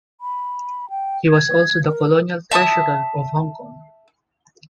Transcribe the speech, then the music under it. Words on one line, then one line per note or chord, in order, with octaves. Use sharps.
He was also the Colonial Treasurer of Hong Kong.
B5
G5
G#6
A#4
E5 A5 C#6 D#6